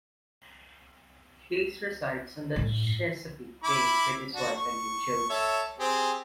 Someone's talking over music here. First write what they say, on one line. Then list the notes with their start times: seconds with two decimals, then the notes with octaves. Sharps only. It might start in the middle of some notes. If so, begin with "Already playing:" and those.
Hayes resides on the Chesapeake Bay with his wife and two children.
2.56 A2
3.64 E4 B5 D6
4.34 D4 F#4
4.56 C#6
5.30 A4 C#5 E5
5.79 C4 G4 G#4